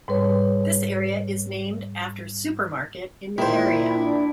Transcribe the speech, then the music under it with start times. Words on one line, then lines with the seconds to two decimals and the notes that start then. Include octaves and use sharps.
This area is named after Supermarket in the area.
0.08 G#2 G3 B4 C#5
3.38 A#2 D#3 E4 C5
3.95 D4